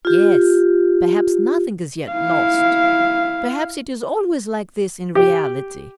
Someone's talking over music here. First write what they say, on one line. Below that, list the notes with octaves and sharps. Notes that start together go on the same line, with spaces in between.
Yes! Perhaps nothing is yet lost.... Perhaps it is always like this in reality.
F4 G4
E4 F5
G4